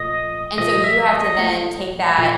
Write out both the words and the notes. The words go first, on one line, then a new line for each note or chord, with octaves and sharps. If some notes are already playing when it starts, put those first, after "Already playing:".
and so you have to then take that
Already playing: A#2 F3 A3 D#5
A#2 F3 A3 D#5
E5
D#5
A#2 F3 A3
A#2 F3 A3